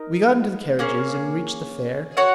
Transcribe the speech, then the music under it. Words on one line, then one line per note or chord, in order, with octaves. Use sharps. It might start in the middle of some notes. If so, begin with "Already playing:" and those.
We got into the carriages, and reached the fair.
Already playing: D#4 A#4 D#5
A#3 C#4 G#4
F#4 C#5 F#5